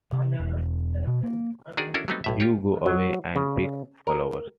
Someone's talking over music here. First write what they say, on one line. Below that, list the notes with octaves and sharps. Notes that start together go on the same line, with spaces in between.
You go away and pick flowers.
C3
E1
B2
A#3
D#3 D4 F#4 G#4 D5
C#4 D4 E4 F#4 A4 A#4
F#3 G3 A3 B3 C4 D#4
B1 A2 E5
F4 G4 C#5
F#3
C#3
A#4